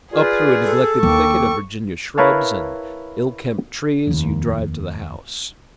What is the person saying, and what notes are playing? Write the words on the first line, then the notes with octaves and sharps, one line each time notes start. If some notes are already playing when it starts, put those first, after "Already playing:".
Up through a neglected thicket of Virginia shrubs and ill-kempt trees you drive to the house.
F4 G#4 B4 D5
A4
D#2 D4 G5 C#6 D6
E4 A#4 B4 C#5 F5 A5
F1 D#2